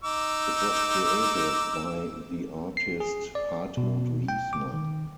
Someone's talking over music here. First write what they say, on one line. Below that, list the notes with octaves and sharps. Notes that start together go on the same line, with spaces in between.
It was created by the artist Hartmut Wiesner.
D#4 D6 E6
C7
G#4
D5
B2
G5
D6
D#3